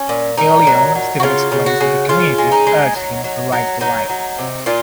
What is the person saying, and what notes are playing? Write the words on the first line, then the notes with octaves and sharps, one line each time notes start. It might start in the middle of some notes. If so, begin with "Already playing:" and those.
Early on, Stephen explains that the community urged him to write the "Life".
Already playing: C#4
A#2
A#2 D#4
F#3
F#3
F#4
C#3 F4
C#3
F#4
C#3
C#3 F4
G#3
D#4
G#3
F#3
F#3
F#3
F#3 D#4
F#3
C3
A#2 F4